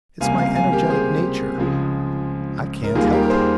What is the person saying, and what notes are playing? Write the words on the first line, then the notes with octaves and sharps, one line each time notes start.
It is my energetic nature. I can't help it.
C#2 C3 G3 A#3 F5 G#5
F5 G#5
F5 G#5
G4 A#4
G#4 C5
C#2 C#3 F3 G#3
A#4
D#2 D#3 G3 A#3 F4 G#4
G4 A#4
A#4
G#4 C5